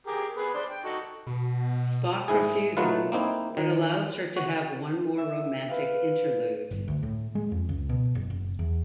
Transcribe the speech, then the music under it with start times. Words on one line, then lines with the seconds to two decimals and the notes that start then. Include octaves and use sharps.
Spock refuses but allows her to have one more romantic interlude.
0.07 G4 G#4 A#4
0.37 B3 G#4 B4
0.54 D4 C5
0.70 G5
0.84 D#4 F#4 A4
1.27 B2
2.28 G#2 E4 G#4
2.77 F#3 A3 D#4 F4 B4 F5
3.12 A#3 C4 D#4 E4
3.57 D#3
4.37 F#4
5.18 E5
5.69 B4 F5
6.71 G1
6.88 D2
7.03 A2
7.35 G#3
7.52 F2
7.69 C#2
7.89 B2
8.15 F#1
8.30 F#1
8.59 E2